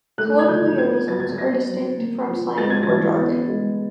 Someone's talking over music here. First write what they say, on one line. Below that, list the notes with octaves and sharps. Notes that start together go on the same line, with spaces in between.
Colloquialisms are distinct from slang or jargon.
A3 F#6
G#6
F3 G6
B3 G#6
F#3 A6
G#6
A6
B3 A#6
F#3
A#3
F3
G#3 A6
G#6
A6
E3
B3
G#3